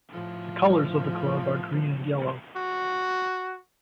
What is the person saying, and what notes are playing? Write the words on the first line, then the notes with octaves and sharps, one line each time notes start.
The colours of the club are green and yellow.
A2 F3
F#4